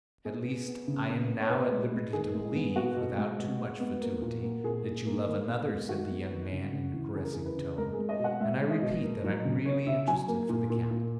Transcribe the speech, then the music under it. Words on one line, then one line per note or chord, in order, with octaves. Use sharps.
"At least, I am now at liberty to believe, without too much fatuity, that you love another," said the young man, in a caressing tone, "and I repeat that I am really interested for the count."
B3 G#4
B3
B3
C#3
B3
B3
C#5
B3 B4
G#3
G#3
D#3 G#4
G#3
B3
B3 F#4
B2
G#3
B2
G#3
B3
A#3
A#2
A#3
A#2 G#4
A#2
A#3
D#3
B3
G#3
D#3 F#4
B3
D#3
C#3
C#3
E3
C#3 G#4
A#4
E3 G#4
B4
C#3
G#3 A#4
G#4
G#3
D#5
B2
F#5
G#3 E5
G#3
D#5
B2
A#3
F#3
C#3
C#3 C#5
C#3 E5
F#3 G#5
A#3
A#2
A#2
A#2